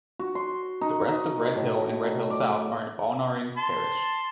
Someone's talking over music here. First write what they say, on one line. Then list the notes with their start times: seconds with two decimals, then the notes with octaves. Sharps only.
The rest of Red Hill and Red hill South are in Balnarring parish.
0.19 F#4
0.35 C6
0.81 D#4
1.08 D#4
1.56 A2
2.30 D5
3.57 A5 C6